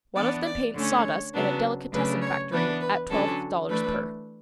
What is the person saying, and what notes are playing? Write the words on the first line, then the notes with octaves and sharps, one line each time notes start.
One of them paints sawdust in a delicatessen factory at twelve dollars per.
E3 B3 D4 D5
D5
D3 A3 C#4 C#5
C#3 F#3 B3 D4
C#3 F#3 A3 D4 B4
C#5
E3 B3 D4 B4
B4
D3 F#3 C#4 A4
E3 A3 D4 B4